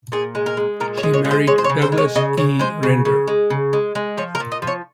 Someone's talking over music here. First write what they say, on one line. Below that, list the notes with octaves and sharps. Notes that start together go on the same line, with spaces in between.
She married Douglas E. Render.
A#2 G#4
G#3
A#4
G#3
A#2 A#4
C#5
G#3
C#5
G#3
C5
G#3 C#5
C5
C#5
C#3
C5
G#3
C#5
C#3 D#5
C#3 C#5
G#3 C5
C#3
C#3
G#3
C#3
G#3
G#3
F3 C#5
A#4
A#2
D#5
F3
C#5